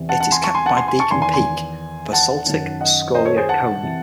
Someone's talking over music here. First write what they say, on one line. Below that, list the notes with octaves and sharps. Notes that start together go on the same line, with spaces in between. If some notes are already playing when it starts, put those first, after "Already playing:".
It is capped by Deacon Peak, a basaltic scoria cone.
Already playing: E2 C3 E3
F#5 A5
F#5 A5
G#5 C6
A5 C#6
G#5 C6
F#5 A5
G#5 C6
G#5 C6
A5 C#6
E2 D#3 G#5 C6
G#5 C6
G#5 C6
F#5 A5
F#2 D#3
D#5 F#5
C5 D#5
A4 C#5
G#4 C5
F#5 A5
C3 E3